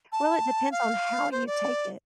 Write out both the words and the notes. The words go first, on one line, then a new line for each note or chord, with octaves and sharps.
Well, it depends on how you take it.
A5
F5
C5
D5